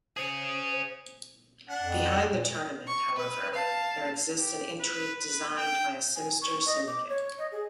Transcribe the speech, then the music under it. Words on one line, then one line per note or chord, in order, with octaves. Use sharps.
Behind the Tournament, however, there exists an intrigue designed by a sinister syndicate.
C#4 G#4 C5
D4 F#5
F2
A#2
C#6
B4
F5 A5
G4
B4
B4
G5
G#5
C#6
D#5
D6
C#5
D#5
G#4